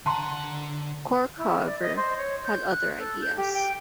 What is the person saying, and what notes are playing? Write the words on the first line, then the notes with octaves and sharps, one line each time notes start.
Cork, however, had other ideas.
D3 F#5 A5 A#5 C6
E4
D5
D#5
C5
C#5
G6
F#6
A4
G6
G4
G5